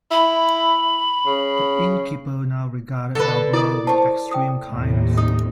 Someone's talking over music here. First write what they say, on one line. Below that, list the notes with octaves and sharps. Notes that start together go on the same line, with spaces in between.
The innkeeper now regarded Barbara with extreme kindness.
E4 B5
C#3
D3 A4 B4
E4 A#4 D5 D#6
C5 C#5 A5
G5 D#6
D#2 A2 C3
D#4 D#6